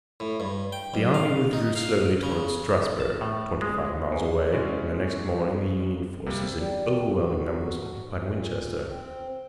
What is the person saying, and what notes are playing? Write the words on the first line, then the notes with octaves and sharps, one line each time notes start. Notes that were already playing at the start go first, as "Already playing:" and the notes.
The army withdrew slowly toward Strasburg, twenty-five miles away, and the next morning the Union forces in overwhelming numbers occupied Winchester.
A2
G2
G5
B1
F5
D#4
F5
C#3
A5
A2
G#3
E2
G#3 C#4 E4 F#4 C5 D5
C3 G3 A#3
G3
F#4
A#2
C4